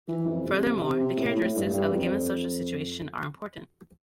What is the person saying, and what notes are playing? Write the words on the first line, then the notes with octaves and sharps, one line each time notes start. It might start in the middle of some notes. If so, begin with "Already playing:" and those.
Furthermore, the characteristics of a given social situation are important.
E3
F2
C3
C3
C3
A2
A2
G2
G2
F2